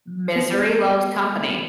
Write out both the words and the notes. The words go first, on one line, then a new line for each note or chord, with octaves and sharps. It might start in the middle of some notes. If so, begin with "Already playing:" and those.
Misery loves company.
B3